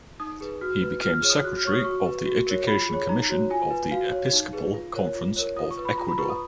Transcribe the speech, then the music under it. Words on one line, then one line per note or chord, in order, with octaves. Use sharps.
He became secretary of the Education Commission of the Episcopal Conference of Ecuador.
D#4 D#6
G#4 B4
F#4 F6
B4
F4 F6
F6
G#4 C#5
D#6
F#4 F#6
F6
C#5 C#6
D#6
F#4 C#6
B4
F#4
A#4 C#5
F4 B5
G#4 C#5
D#4 A#5
F#4 C#5
F4 G#5
B4
F#4 F5
C#5
D#4
G#4 B4
F4
A#4 C#5
F4
A#4 C#5
F4 D#6
C#6
B4
B5
F4 A#5
B5
B4 C#6
D#6